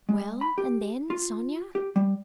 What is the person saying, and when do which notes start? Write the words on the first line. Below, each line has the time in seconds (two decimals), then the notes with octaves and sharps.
"Well, and then, Sonya?..."
0.09 G#3
0.41 B5
0.58 G4
1.10 F4
1.75 G4
1.96 G3